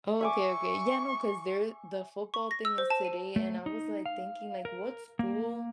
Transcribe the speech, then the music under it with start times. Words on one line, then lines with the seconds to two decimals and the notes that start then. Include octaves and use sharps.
Okay, okay, yeah, no, 'cause there the football thing is today, and I was, like, thinking, like, "What school
0.21 E5 G#5 C#6 D6
2.34 C#6
2.51 A#6
2.65 E6
2.78 C5
2.90 A5
3.05 D#7
3.36 A3
3.66 D#4
4.06 F5
4.65 A#4
5.19 A#3